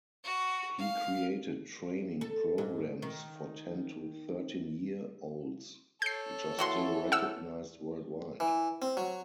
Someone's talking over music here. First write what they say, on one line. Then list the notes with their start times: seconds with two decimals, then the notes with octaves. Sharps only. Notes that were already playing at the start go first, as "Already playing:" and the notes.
He created training programs for ten to thirteen-year-olds which are still recognized worldwide.
0.24 F#4
0.78 F5
2.21 A4
2.58 G#2
3.02 D#3
6.02 A4 C#5 G6 C7
6.59 E3 A#3 F#4 C6
7.12 F#5 E6
8.40 E3
8.82 C4
8.97 F#3